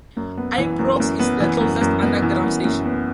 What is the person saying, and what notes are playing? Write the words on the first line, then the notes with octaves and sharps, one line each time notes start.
Ibrox is the closest underground station.
F#2
B3
E3
F#2
F#2
B3
E3
F#2
F#2
B3
E3
F#2
F#2
B3